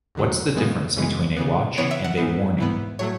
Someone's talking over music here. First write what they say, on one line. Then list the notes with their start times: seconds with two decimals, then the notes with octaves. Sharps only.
What's the difference between a watch and a warning?
0.15 E2 D3 F#3
0.55 F#2 C#3 E3 G#3 B3
0.96 F#2 C#3 E3 G#3 B3
1.37 C#3 E3 B3
1.78 C#3 E3 B3 C#5
1.91 E5
2.04 F#5
2.17 G#2 E3 B3
2.58 G#2 E3 B3
2.99 A2 F#3 A3 C#5